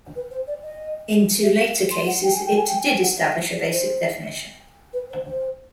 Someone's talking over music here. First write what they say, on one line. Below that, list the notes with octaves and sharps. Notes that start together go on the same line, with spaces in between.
In two later cases, it did establish a basic definition.
B4
C5
D5
D#5
E5
F5
C6
F#5
G5
G#5
G5
G#5
G5
G#5
G5
F#5
F5
E5
D5
C5
B4
C5
C5